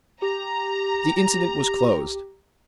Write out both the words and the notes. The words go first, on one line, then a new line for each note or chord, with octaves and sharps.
The incident was closed.
G4 A#5